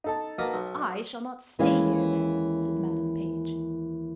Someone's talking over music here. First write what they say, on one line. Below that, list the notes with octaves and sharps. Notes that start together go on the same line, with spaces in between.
"I shall not stay here, then!" said Madam Page.
D#4 A4 A5
B2 A#3 D#6
B1
D#2 E3 G#3 C#4 F5